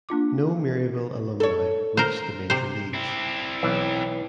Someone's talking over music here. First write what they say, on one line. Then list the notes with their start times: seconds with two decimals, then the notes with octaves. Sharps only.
No Maryville alumni reached the major leagues.
0.09 A#3 D4 F4 D6
1.40 A4 C#5
1.97 A#4 C5
2.50 C3 C5
2.93 C4 E4
3.63 B1 E3